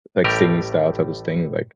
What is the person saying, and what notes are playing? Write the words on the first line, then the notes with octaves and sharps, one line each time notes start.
like, singing style type of s thing, like
A1 A2 G3 A3 G4 A#4